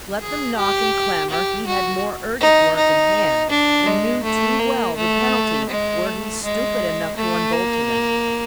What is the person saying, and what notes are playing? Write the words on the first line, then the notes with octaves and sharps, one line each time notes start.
Let them knock and clamour; he had more urgent work in hand, and knew too well the penalty were he stupid enough to unbolt to them.
G#4
G4
G4
F#4
D#4
D#4
D4
G#3
A3
A#3
A3
G#3
A3
G#3
A3
A#3